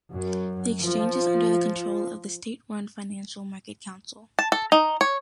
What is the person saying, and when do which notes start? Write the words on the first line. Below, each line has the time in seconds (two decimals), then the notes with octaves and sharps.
The exchange is under the control of the state-run Financial Market Council.
0.13 F#2
0.81 F3
4.39 A5
4.52 A4
4.72 D#4
5.01 C#5